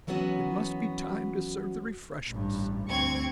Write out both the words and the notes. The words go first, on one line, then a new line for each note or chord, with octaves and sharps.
It must be time to serve the refreshments.
E3 F#3 B3 C#4 F#4
A1 G2
D2 C4 C#6 G#6